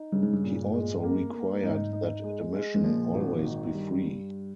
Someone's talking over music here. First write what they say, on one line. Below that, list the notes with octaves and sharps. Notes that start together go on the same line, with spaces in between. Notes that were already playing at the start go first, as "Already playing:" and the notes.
He also required that admission always be free.
Already playing: D#4
G2 C#3
G#2
G2
A#2
G#3
A#3
A#3
G#2 D#4
D#4
G#3
G#3
G#2
A#2 F3
G#1
D#3
G2